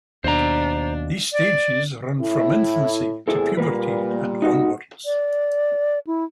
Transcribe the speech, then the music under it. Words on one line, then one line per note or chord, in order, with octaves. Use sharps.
These stages run from infancy to puberty and onwards.
D#2 B2 D4 C5 A#5
D5
A2 E4
E2 C3 E4 G#4 A4
A#2 G3 A#3 A#4 B4
D#4 F#4
D5
E4